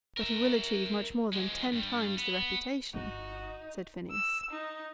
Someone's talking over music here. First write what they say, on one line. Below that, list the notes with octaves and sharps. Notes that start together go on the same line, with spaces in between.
"But he will achieve much more than ten times the reputation," said Phineas.
A#4 E5
F3 G#3
G2 G3
B3
G1 D#4 F#4
E6
D#4